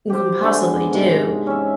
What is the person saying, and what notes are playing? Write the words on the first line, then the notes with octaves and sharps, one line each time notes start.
can possibly do,
G4 C5
D3 G#3 B3
G#2 C3
C#4 E5